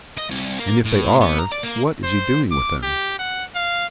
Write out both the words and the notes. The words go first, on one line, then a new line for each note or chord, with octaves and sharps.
"And if they are, what is he doing with them?"
D#5
C2
A#3
A2
B3
A#5
D5
A#3
C5
D6
G4
F#5
F5